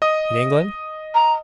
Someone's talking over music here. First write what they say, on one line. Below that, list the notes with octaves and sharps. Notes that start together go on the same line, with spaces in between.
"In England?"
D#5 D#6
A#5